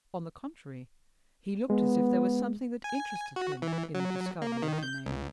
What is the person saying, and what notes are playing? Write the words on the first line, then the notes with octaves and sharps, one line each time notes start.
On the contrary, he looked as if there was something that interested him in the discovery of the name.
G#3 B3
G#5
F#4
E3
F#3
A#3
D#3
G6
C#2